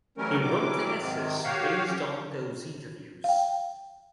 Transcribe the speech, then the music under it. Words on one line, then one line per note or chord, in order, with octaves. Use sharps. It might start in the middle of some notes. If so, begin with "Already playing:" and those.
He wrote essays based on those interviews.
E3 F#3 G3 A3 C#4 A#4
E3 F#3 G3 D6
G#2 C3 D#3
F#4 G4 C#5 F5
C#4 G4
F5 G5